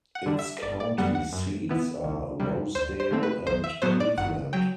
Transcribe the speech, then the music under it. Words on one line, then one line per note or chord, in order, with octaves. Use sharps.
Its county seats are Rosedale and Cleveland.
F#5
D3 G3 D4
E5
G1 D5
D5
F#2 D3 G3 B3 F#5
F#5
F#2
E3 B3 E4
C2
C3 G3
D2 C5
C5
D3 A3 C4
B4
B1 C5
E5
A2 F#3 B3 C5
D5
G1 F#5
F#3 G5